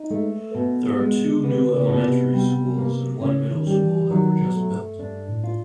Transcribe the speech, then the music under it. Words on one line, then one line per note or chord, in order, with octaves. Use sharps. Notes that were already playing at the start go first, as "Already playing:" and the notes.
There are two new elementary schools and one middle school that were just built.
Already playing: D#4
G#3 A3
B2
G#3
D3 B3
C#3
B2
C3
G3
A#3
C#3 C#4
D#3
G3
E3
D3
D#3 F#3
B2
A3
G2
G2 D4
A2
F4